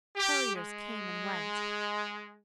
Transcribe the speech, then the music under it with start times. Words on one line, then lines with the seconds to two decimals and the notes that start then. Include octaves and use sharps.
Couriers came and went.
0.16 G4
0.54 G#3